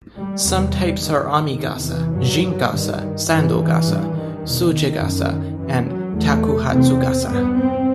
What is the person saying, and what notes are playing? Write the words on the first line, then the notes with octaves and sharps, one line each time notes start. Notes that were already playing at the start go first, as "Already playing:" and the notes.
Some types are "amigasa", "jingasa", "sandogasa", "sugegasa", and "takuhatsugasa".
G3
E2 C3 G3
G2 D#3
E2 C3
E3
G2 F#3
G2 D#3
G2 E3
E3
G2
D#3
E2 B2
D#3
F#2
D#3
F#2 E3
F#3
E2 B2 A3
E2 C3 C4
G2 B3
C4